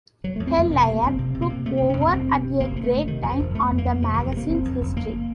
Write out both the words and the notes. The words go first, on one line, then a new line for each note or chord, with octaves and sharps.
Hellyer took over at a great time on the magazine's history.
F#1 F#3
A3
F2
C4
F#1 A#3
C3 A#3
A#3
C3
F#1 C4
C3
C3
A#3
C3
C3 A3
C4
F#1
C#4
F2 C4
A#3
F#1 C4
C3
C3
F#1 A#3
C3
A3
F#1
C3 D#3
F2
F3
F#1
F2 A3
F2
A#3
F2
C3 F3
D#3
F#1
F3
C3 A#3
F#1 C4
F2
F#1
F#1 A#3